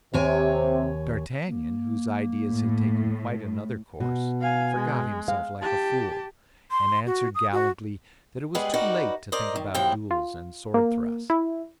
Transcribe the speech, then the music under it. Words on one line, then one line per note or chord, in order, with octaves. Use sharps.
But d'Artagnan, whose ideas had taken quite another course, forgot himself like a fool, and answered gallantly that it was too late to think about duels and sword thrusts.
D#2 C3 C#5 G#5
A#3
A2
B2
F5 G#5
G#3
F5
G4 A5
C6
F#4
D#6
F#4
G3 G#3 B3 G#4 B4
D#4 F#4 A#4 B4 D5
A#4 C5 D5 D#5
D#3
D#2 F3 F#3 E4 G5
F4
A#3
E4